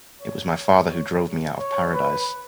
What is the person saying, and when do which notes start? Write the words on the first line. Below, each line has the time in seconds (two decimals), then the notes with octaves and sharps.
It was my father who drove me out of paradise.
0.21 C#5
1.59 C#5
1.93 B4